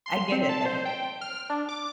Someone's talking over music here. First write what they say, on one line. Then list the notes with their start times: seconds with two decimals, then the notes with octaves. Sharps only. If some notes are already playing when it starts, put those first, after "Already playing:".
I get it though.
0.06 C6
0.32 C4
0.49 A5
0.65 C5
0.85 G5
1.21 F6
1.50 D4
1.69 D6